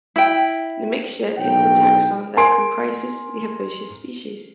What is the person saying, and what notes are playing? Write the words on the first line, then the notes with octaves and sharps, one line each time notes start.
"Nemexia" is the taxon that comprises the herbaceous species.
E4 G5
F#1 B1 G5
A#4 G#5 C6 D7